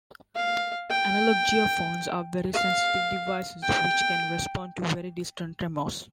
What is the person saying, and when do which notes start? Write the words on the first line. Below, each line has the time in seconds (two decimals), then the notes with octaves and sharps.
Analog geophones are very sensitive devices which can respond to very distant tremors.
0.36 F5
0.90 G5
2.54 F5
3.63 G5